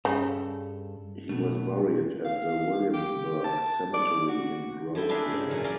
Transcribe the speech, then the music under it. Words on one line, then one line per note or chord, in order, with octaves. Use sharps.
He was buried at the Williamsburg Cemetery in Groveland.
G2 C#3 G3 A4
B2 A3
F5
G4
A5
D5
F#4
F2 E4 G5
B3 D4 G4 G#4 A#4 E5
G#2 C#4
F#2 A#2 F#3
C4 C#4 F4 A#4 D5